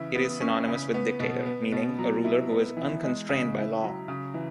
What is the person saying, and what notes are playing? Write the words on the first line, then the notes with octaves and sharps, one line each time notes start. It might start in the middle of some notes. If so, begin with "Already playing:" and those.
It is synonymous with 'dictator,' meaning 'A ruler who is unconstrained by law.
Already playing: C#3 E3 E4
B3
C#4
C#3
B3
B2
B3
B2
F#3
E4
B3
E3
G#3
C#3
E4
F#3
C#3
E3